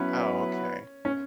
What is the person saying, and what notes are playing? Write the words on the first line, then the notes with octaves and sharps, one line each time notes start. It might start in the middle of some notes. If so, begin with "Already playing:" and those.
Oh, okay.
Already playing: F#3 B3 C#4 E4 B4
C#4